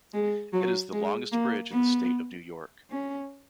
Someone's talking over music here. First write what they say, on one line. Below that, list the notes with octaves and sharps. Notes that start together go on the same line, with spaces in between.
It is the longest bridge in the State of New York.
G#3
F#3
G#3
A#3
B3
C#4